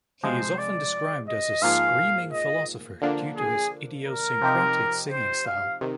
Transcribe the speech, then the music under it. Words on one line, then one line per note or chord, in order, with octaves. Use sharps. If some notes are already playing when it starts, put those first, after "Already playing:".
He is often described as a "screaming philosopher" due to his idiosyncratic singing style.
C3 F3 G#3 C5
D5
D#5
G#2 F3 A#3 F4 G#4 F5
D#5
D3 F3 A#3 D4
G#4
A#4
C3 F3 C4 D#4 G4
C5
F5
C3 D#3